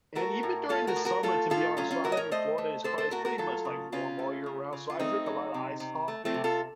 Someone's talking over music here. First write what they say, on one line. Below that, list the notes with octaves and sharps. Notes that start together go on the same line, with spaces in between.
and even during the summer, to be honest, so I live in Florida, it's probably it's pretty much, like, warm all year round, so I drink a lotta iced coffee
A3 F#4 A#4
A2
A3 F4 A4
F#4 A#4
A2
F#4 A#4
A3 F4 A4
A2 F4 A4
F#3 C#4 F4
C#4 F4
A2 F#4 A#4
D#5
A#4 C#5
A3 C5 D#5
A3
A2 A4 C5
A4 C5
A3 F#4 A#4
F#4 A#4
F#3 F4 A4
C#3
C#3 C#4 F4
A3
C#3
C#3
F4
A3 C4 D#4
F#3
C3
C3
A3
A3 C4
C3
F4 A4